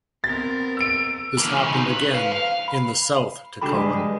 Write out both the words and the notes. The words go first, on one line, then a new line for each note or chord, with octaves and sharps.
This happened again in the south to Cullin.
B3 C4 A#4 A6
E6 D7
E3 A#3
C#2 C#3
C2 D#4
B4
C5 F5
F5
B5
C#2 D4 F#4 G4 A4 B5
F3 G3 G#3 D4 B4 D#5